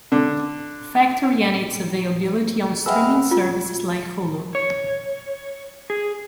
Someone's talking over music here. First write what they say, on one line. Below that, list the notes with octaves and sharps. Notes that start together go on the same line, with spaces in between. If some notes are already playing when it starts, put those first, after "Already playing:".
Factory and its availability on streaming services like Hulu.
D3
G#3 B4 E5 F#5 G5 E6 F6
F4
C#5
G#4